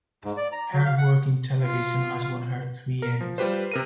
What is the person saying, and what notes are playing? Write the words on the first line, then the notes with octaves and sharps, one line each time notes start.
Her work in television has won her three Emmys.
G#2
D5
A#5
F#3
F5
F#5
F4
A#4
F3
G3 F4 G4 B4 C5
C3 A#4 D#7